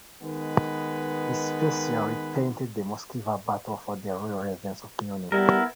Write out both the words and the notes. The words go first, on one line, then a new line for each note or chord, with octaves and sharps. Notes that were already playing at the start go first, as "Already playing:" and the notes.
He specially painted the Moskva battle for the royal residence of Munich.
D#3 G#3 B3 B4
G3 B3 E4 A#4